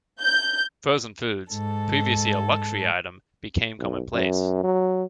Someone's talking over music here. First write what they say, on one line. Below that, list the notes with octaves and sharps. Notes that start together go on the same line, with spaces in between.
Frozen foods, previously a luxury item, became commonplace.
G6
G#2 A4
B1
F#2
F#3